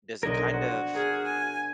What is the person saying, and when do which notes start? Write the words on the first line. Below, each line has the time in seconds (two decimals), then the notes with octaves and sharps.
does it kind of
0.23 B1 D4 A#4 D#5 G#6
0.54 F#4 C5
0.94 G#4 A#4 G#5 F6
1.24 G#5